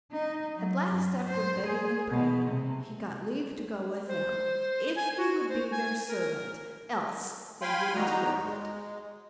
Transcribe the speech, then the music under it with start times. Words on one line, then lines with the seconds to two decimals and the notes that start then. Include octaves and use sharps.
At last, after begging and praying, he got leave to go with them, if he would be their servant, else they wouldn't hear of it.
0.11 D#4
0.55 F#3
0.90 F#2
1.29 C5
1.67 G#4
2.10 B2
2.49 C3
4.08 C5
4.96 G#5
5.17 F#4
5.49 C5
5.71 G#5
6.08 A#4
7.62 F5 G5 G#5 B5 C6
7.94 E2 G3 D#4 F#4 A#5
8.44 G#3